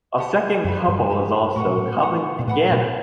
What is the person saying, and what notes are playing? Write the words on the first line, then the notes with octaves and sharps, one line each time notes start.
A second couple is also coming together.
G4 C5 F#5 A5
F#2 G4 C5 E5 B5
G2
G4 C5 E5 B5
A2 F#4 B4 F#5
B2
A2
F#4 B4 F#5
B2
A2 B4 F#5 B5
B2